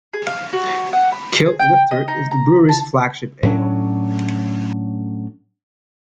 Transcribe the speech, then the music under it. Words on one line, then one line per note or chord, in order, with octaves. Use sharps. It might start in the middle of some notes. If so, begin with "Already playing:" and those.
Kilt Lifter is the brewery's flagship ale.
G#4
F5
F#4
F#5
B5
G#4
G5
D#5
D#4
A#5
A5
A2 F#3 C#4 D4